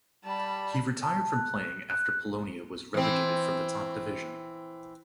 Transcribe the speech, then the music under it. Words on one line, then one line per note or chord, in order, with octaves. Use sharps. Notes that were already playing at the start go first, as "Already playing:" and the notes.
He retired from playing after Polonia was relegated from the top division.
G3 A5 B5
A5
F#6
F#6
E3 C4